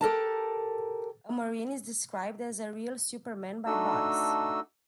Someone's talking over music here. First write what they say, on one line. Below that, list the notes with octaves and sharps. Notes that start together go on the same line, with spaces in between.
A Marine is described as "a real superman" by Bugs.
G4 A4 A#4 A5
A3 D4 D#4 F#4 A4 E6